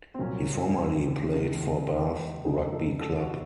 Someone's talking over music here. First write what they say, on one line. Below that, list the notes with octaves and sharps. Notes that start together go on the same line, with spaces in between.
He formerly played for Bath Rugby club.
C4
C2 A#2 F#3 C#4
C#2 C#3 A3
D#4
F1 D#2 C#3 D#4
A4
A4
F#4